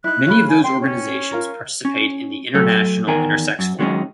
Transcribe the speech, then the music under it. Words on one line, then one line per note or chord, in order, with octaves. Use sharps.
Many of those organizations participate in the International Intersex Forum.
D#4 E4 F#6
C#4 F4 B5
G#5
G5 C6
C#4
F4 A#4
C#4
F#3 A3 A4
E2 D#3 A#4 G#5
F#2
D#3 F#3 G#3 C4 C#4 D#4